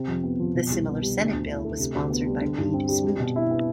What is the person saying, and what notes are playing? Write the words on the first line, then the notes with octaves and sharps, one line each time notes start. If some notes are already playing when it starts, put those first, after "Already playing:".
The similar Senate bill was sponsored by Reed Smoot.
Already playing: C3 C4
F2
B3
F3
B2
C2
B3
G3
D3
D2
E4
A3
C3
D2
B3
G3
D3
G2
C4
G3
G3
B2
E4
B3